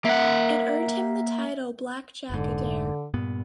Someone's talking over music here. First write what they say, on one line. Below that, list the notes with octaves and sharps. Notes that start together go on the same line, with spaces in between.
It earned him the title "Black Jack Adair".
A#3 E5 F#5
F1 G#2 D3
G2 A#2 B3